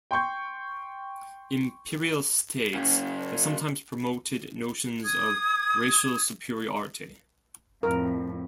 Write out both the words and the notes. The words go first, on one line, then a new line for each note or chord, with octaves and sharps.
Imperial states have sometimes promoted notions of racial superiority.
G5 C6 C#6 G6
F#2 C#3
D#6 G#6
F2 A2 A#4